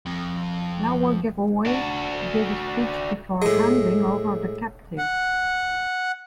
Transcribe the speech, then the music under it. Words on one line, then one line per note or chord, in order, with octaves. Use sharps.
Lawoughqua gave a speech before handing over the captives.
F2
D4 F#4
A2 G#3
F#5